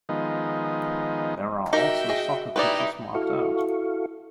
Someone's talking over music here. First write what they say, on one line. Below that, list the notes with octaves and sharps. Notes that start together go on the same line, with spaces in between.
There are also soccer pitches marked out.
D#3 F3 G#3 B3 D#4
D#4 F#4 G4 A#4 E5 G5
G#4 D#5
D#4 E4 G4 B4 C5 D5
E4 F#4 A4 F5 C#6